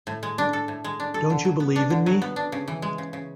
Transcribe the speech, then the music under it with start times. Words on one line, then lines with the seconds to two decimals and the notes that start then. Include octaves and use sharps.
Don't you believe in me?
0.07 A2
0.23 G#3
0.38 D4
0.53 A4
0.68 A2
0.84 G#3
1.00 D4
1.14 A4
1.30 D3
1.45 F#3
1.60 B3
1.76 D4
1.90 D3
2.06 F#3
2.22 B3
2.36 D4
2.52 C#3
2.68 E3
2.82 G#3
2.98 C#3
3.13 C#3